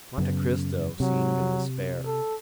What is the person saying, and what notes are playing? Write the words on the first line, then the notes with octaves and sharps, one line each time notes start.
Monte Cristo seemed in despair.
F#2 C#3 B3
C3 F#3
A4